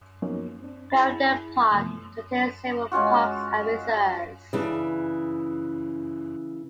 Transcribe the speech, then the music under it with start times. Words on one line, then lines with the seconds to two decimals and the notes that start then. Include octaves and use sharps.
Ferryden Park contains several parks and reserves.
0.22 F3 F#3 A#3 B3 C#4 D#4
0.61 C4 D4
0.90 E4 G#4 B5 A6
1.71 C3 E3 F3 A3 B3
2.92 G#3 C#4 F4 F#4
4.53 C#3 E3 D4